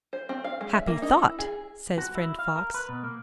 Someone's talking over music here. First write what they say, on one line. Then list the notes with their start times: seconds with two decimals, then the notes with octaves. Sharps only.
'Happy thought!' says friend Fox.
0.13 C5
0.29 C4
0.44 F5
0.61 G#3
0.75 E5
0.87 A#3
1.02 D#4
1.17 E4
1.39 G#4
1.98 F#4
2.15 E4
2.39 F5
2.56 A#4
2.74 B4
2.89 B2
3.03 A#3